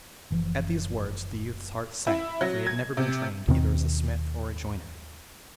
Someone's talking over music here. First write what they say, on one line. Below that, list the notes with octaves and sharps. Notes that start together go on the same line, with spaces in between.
At these words the youth's heart sank, for he had never been trained either as a smith or a joiner.
F#1 E3 F3
E4
F#3
G#6
C3
D#2 B2 D#3 C4